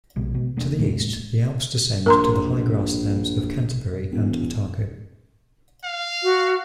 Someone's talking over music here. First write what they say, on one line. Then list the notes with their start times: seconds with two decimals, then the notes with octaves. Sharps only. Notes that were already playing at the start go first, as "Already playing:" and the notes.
To the east, the Alps descend to the high grasslands of Canterbury and Otago.
0.16 A#1 B2 G#3
0.34 B2 B3
0.57 E1 A3 A#3 D4
0.78 C#2 A2 G#3 A#3
2.06 A#1 A#4 A#5 C6
4.12 E1
5.84 F5
6.23 F#4